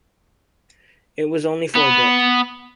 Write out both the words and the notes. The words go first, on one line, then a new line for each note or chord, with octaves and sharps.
It was only for a bit.
B3